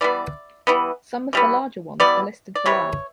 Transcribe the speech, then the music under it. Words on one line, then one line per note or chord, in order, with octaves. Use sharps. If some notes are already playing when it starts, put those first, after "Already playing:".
Some of the larger ones are listed below.
E3 G3 B3 D5
E3 G3 B3
E3 G3 B3
E3 G3 B3 D5
D5
C3 E3 G3 C#5